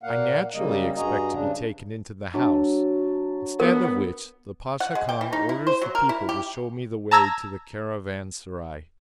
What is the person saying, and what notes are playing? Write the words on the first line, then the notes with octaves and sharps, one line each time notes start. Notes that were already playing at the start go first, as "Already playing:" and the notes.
I naturally expect to be taken into the house, instead of which the Pasha Khan orders the people to show me the way to the caravanserai.
A#2 A#3 F5 F#5
C#3 G3 A#3 D#5
G2 F#4 G#4 D#5 A#5
G2 C#3 D4
F#3 D4 E5 A5
B3 A#4
F#5
G#3
G5
E3
D#4
E4
C5
F#3
A#4
E4
G4
A5 A#5 E6 G#6 A#6